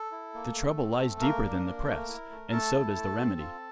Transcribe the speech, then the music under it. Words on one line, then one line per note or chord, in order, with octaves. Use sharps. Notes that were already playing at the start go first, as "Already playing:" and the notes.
The trouble lies deeper than the press, and so does the remedy.
Already playing: A4
E4
A#3
A3
C4
A3
A#3 A#4
D4
A#3
A3
E4
A3
A3 A4 A5
E4
A3
C4
F4